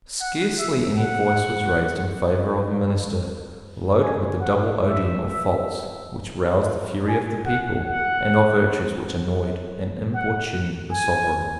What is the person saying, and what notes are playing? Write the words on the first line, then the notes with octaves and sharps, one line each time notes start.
Scarcely any voice was raised in favour of a minister loaded with the double odium of faults which roused the fury of the people, and of virtues which annoyed and importuned the sovereign.
F#5
E5
F#5
G#5
F#5
E5
G#5
F#5
F#5
F#5
G#5